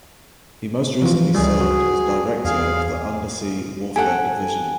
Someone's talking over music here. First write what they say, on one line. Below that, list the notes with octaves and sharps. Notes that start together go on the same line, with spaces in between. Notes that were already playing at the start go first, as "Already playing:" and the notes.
He most recently served as Director of the Undersea Warfare Division.
E3 F3 F4
C#2 G3 G#4
F#4
E2 G#4 F5
G4 A4 F#5 G#5